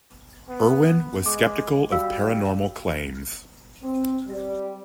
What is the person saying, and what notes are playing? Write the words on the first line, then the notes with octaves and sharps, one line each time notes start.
Irwin was skeptical of paranormal claims.
B3
G#3 D6
G3 F#4 F5 E6
C4
G3